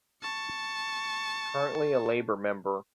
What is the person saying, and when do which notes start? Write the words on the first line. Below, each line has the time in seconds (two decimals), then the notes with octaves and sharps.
Currently a Labour member.
0.22 A5 C#6